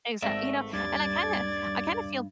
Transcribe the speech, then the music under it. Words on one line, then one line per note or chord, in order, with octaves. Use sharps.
Exact you know, and I kinda I kinda feel,
G#1 A3 D5 E5 A#6
D#1 G2 D5 G#6 A6